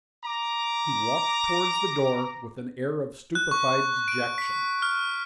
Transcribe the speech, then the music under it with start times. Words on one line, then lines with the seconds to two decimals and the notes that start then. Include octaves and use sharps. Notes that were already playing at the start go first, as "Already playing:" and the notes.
He walked towards the door with an air of stupefied dejection.
0.25 A#5 D6
3.35 F#6
3.51 C#6
4.08 D7
4.38 B6
4.82 F6